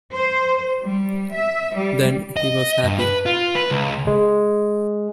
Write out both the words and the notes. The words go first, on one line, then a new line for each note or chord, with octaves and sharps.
Then he was happy.
C5
G3
E5
G3
D#5
G2
B4
F4
B4
C#2
G#3